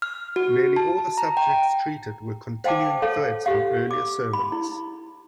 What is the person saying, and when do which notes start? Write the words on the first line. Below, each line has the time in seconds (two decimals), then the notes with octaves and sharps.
Nearly all the subjects treated were continuing threads from earlier sermons.
0.02 F6
0.36 F#4
0.76 A5
1.18 A#5
1.37 G5
2.64 C5 F5 G5 A5 D6
3.02 A4 C#5 F5
3.46 G4 F5
3.91 D6
4.33 B5
4.52 E4